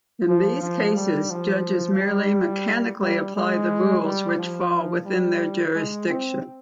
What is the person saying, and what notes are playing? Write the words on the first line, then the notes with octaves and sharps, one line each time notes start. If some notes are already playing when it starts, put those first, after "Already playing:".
In these cases, judges merely mechanically apply the rules which fall within their jurisdiction.
F3
F3
G3
F3
G3
G3
G#3
G3
F3
G3
G#3
C4